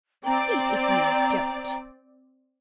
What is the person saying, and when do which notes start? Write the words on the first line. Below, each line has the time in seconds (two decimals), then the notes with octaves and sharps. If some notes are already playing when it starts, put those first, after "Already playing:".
See if you don't.'
0.25 C4 D5 G5 A#5